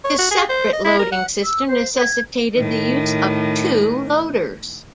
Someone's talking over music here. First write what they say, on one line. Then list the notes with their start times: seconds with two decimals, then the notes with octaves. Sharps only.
This separate-loading system necessitated the use of two loaders.
0.04 C#5
0.18 F#4
0.31 G#4
0.49 C5
0.73 D#5
0.85 E4
0.99 A#4
1.12 F#5
1.42 E6
1.67 C5
1.98 G#6
2.54 A2 D#3